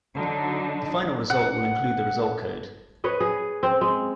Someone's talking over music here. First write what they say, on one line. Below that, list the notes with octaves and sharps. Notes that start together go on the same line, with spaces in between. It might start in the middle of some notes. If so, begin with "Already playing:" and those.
The final result will include the result code.
D3 F#3 D4 D#4
F#5
B4 C#5 D#5
G#4
C4
G#3